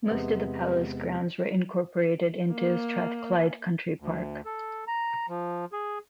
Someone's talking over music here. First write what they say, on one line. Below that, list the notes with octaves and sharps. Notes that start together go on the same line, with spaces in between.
Most of the palace grounds were incorporated into Strathclyde Country Park.
E2 C3 G#3 B3
A#3
D2
A4
A#5
F3
G#4